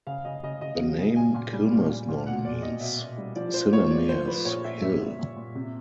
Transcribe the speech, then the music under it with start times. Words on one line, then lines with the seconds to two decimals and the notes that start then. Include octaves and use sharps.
The name Kilmersdon means 'Cynemaer's Hill'.
0.07 C#3 F5
0.25 C#3 D#5
0.43 C#3 D#5
0.61 C#3 D#5
0.80 F#3
0.98 C#3
1.16 A#2 G#5
1.34 A#2
1.53 G3
1.71 G3
1.90 A#2
2.08 A#2
2.26 B2 F#5
2.44 B2 D5
2.63 B2 D#5
2.80 B2 E5
2.99 B2
3.18 G3
3.36 F3 D5
3.53 F3 C5
3.72 A2 C#5
3.90 F3 D5
4.09 F3 C5
4.27 F3 B4
4.45 A#2 C#5
4.64 A#2 E5
4.82 G3 E5
5.00 A#2
5.19 A#2
5.36 A#2
5.55 C3